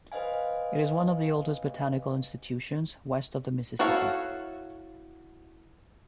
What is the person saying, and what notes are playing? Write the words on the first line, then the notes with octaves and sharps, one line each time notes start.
It is one of the oldest botanical institutions west of the Mississippi.
B4 C5 D#5 F5 G#5
E4 F#4 A4 C#5 F5